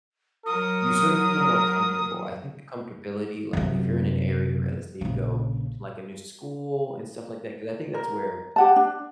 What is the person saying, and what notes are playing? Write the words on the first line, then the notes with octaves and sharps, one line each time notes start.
you sort of feel more comfortable. I think the comfortability, like if you're in an area where let's say you go to, like, a new school and stuff like that, 'cause I think that's where
F#3 A#4 D#6
F#2 C3
A#1 C#3
A#4
G4 F#5 A5
D4